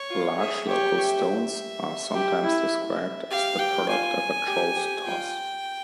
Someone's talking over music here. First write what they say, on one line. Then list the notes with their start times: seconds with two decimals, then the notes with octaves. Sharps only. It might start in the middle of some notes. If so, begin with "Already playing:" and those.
Large local stones are sometimes described as the product of a troll's toss.
Already playing: C#5
0.10 F4
0.39 G#4 E5
0.68 G4 C#5
0.98 E5
2.15 G4
2.44 E4
3.31 G4 F5
3.59 G4 G5
3.88 F4 G#5
4.47 G4
4.76 G4
5.05 F4 G5